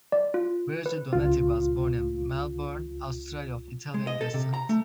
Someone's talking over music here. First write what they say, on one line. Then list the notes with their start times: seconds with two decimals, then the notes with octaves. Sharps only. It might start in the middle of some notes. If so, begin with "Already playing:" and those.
Virgil Donati was born in Melbourne, Australia of Italian descent.
0.12 D5
0.34 F4
0.86 B4
1.13 C#2 F4
3.94 G#3
4.07 D#5
4.21 A4
4.34 C3
4.54 A#5
4.69 A3